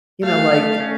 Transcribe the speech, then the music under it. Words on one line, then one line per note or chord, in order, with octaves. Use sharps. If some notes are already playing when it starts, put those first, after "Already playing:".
you know, like
A3 F5
A3
C#4